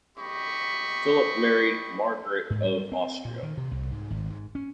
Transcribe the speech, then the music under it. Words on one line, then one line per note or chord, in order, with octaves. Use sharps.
Philip married Margaret of Austria.
G4 D#5 B5 C#6
G#2
G3
C4
A#2
D#3
C3
C2
G#2
G#1
G#2
C#4